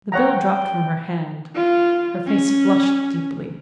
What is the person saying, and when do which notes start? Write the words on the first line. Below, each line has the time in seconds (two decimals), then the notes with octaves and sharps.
The bill dropped from her hand; her face flushed deeply.
0.12 C#5 F#5 G5 A#5
1.56 F4
2.27 C#4